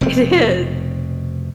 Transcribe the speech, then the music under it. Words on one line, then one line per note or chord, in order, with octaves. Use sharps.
It is.
F1 B2 C4